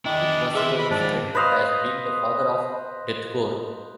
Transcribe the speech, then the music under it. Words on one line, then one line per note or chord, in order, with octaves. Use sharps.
Nick Vasallo is credited as being the father of "deathcore".
D#3 D4 E4 G#4
E3 G#4 B4 E5 C6
B5
G#2 F3 C5 D5 A5
B4 C5 D#5 F5